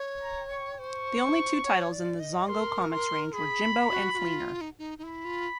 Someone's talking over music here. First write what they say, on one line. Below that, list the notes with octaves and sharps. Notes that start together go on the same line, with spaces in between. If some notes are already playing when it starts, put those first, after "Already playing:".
The only two titles in the Zongo Comics range were "Jimbo" and "Fleener".
Already playing: C#5
A#5
C#6
C5 C#6
C#5
D5
D#5
A#4 C6
C6
G#4 B5
F#4
F#4
F4
D#4
D#4
D#4
E4 B5
F4